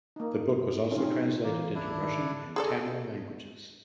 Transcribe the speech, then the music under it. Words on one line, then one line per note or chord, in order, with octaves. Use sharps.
The book was also translated into Russian and Tamil languages.
A#3 D#4
F#2
C3 F#3 C4 C#4 D#4 F4
E3 A#3
D2 G#2 D4 E4
D#3
G#4 A4 D5